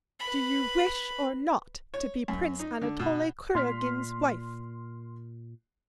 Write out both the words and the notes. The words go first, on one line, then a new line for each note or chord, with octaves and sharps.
Do you wish or not to be Prince Anatole Kuragin's wife?
B4 B5
C#5
F#2
D#4
D3
B2
A#2 C6 F6 B6